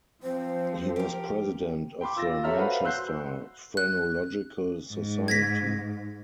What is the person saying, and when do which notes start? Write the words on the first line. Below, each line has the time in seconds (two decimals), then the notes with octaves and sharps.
He was President of the Manchester Phrenological Society.
0.23 F3 C4 C5
0.96 G4 A#4
2.01 G5 B5 C6 D6
2.16 F4 E6 A6 A#6
2.44 G4 A4 C#5 E5 A#5 F6
2.58 F#4 B4 C5 F5 F#5 B5
2.84 C6 E6 F#6 G6 C7
3.77 F#6
4.93 G#2
5.28 G#6 A#6 B6